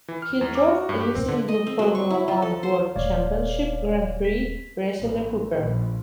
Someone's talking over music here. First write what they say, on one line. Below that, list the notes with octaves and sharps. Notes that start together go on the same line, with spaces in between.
He drove in a single Formula One World Championship Grand Prix, racing a Cooper.
E3
F6
E2
D6
F#4
G2
G4
C4
D3
D#5
C4
F#3
C#6
E4
F3
A4
C5
D#1 C#5 D5 F5
B6
A1
A#1